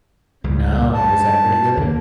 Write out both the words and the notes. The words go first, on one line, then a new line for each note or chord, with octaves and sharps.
No, is that pretty good?
C#2 G3
G2 A5
D#2 A#3